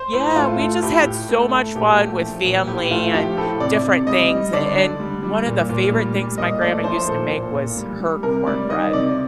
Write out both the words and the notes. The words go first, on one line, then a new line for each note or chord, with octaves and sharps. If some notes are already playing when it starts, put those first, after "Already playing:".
Yeah, we just had so much fun with family and different things, a and one of the favorite things my grandma used to make was her cornbread,
Already playing: C5
A2
A3 F4
A3
A2 G4
A2
A3
A3
A#2 G4
A3
F3
A#2
A2 G4
A3 F4
F3 G4
A2 A4
C3 D5
C3
G3 D#5
G3
D3 D5
D3
G3
G3
A#2
A#2
G3
G3
A#2 D#5
A3 D5
F3 C5
A#2 A4
A#2
A#2
G3
G3
C3 A#4
G3 D5
D#3 D#5
C3 D5